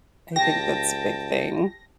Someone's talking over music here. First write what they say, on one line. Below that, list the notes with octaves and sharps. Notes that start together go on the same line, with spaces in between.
I think that's a big thing.
C#2 G4 G5 A5 A#6